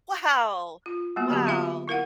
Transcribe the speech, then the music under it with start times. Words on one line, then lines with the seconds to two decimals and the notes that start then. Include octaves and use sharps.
Wow! Wow!
0.86 F4
1.16 G3 A#3 B3 F#4
1.30 D3 F#3 F#4 G4 A5
1.46 C4 F4 F#4 E5 F5 B5
1.88 E4 A#4 F5 F#5